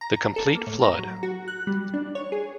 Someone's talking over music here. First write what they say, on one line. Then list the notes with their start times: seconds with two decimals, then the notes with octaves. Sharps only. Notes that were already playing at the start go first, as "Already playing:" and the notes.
The complete Flood!
0.01 A#5
0.36 A4
0.55 A#3
0.67 A2
0.83 A#5
0.99 F#3
1.23 F#4
1.48 F#6
1.67 G3
1.94 D4
2.15 C#5
2.32 G#4